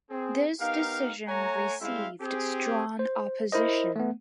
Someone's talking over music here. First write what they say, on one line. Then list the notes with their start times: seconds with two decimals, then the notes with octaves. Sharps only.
This decision received strong opposition.
0.10 C4 G#4
0.60 B3 D#4 G4 A#4 F5
1.27 A3 C#5 F#5 G#5 A#5
1.81 G3 G#3 C4 E4 E5 F5
2.21 C4 G4 G#4
2.99 C5
3.52 E4 A#4 C5 D#5
3.96 A3 B3